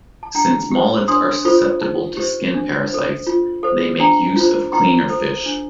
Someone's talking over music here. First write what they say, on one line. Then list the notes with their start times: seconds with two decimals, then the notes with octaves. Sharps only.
Since molids are susceptible to skin parasites, they make use of cleaner fish.
0.23 A5
0.35 D4 G5 A#5
0.71 G4 C5
1.08 D4 C6 D#6
1.45 F4 A4 C5
1.81 D#4
2.17 G4 C5
2.54 D4
2.90 A4 C5
3.27 F4
3.63 A4 C5
4.00 D4 G5 A#5
4.36 F4 C5
4.73 D#4 G5 A#5
5.09 A4 C5
5.46 D4